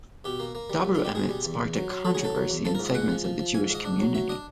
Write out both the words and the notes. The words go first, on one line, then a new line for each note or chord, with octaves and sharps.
Dabru Emet sparked a controversy in segments of the Jewish community.
B2 G4
A#3
A#3
G3
C2
F4
G3
G4
B2 G#4
G3
E2
E2
F#3
F#3
F#3 A4
G#4
F#3 A4
F#3
E2
F3 A4
A#4
G#2
D#5
G#3 F#5
F3
F3
F3
G#2 G#5
G#2 D#5
D4
F#3
F#3 E5
D4 D#5